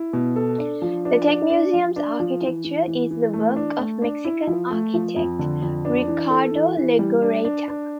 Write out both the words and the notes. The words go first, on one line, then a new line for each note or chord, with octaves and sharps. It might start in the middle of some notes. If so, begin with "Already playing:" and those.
The Tech Museum's architecture is the work of Mexican architect Ricardo Legorreta.
Already playing: E4
B2
A4
D4
F3
D4
D4
D4
F3
D4
F3
E3
E3
E3
E3
A3
D4
A3
D4
E4
F3
A3
F3
F2
D3
F2
D4
E3
A4
E3
E3
G3
D4
D4
D4